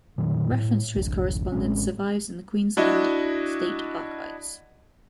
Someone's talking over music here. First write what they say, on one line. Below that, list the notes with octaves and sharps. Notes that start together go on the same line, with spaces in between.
Reference to his correspondence survives in the Queensland State Archives.
A#2 D#3 F#3
A2
G#1 C#2
A1 G#3 C4 C#4
D4 E4 F#4 D#5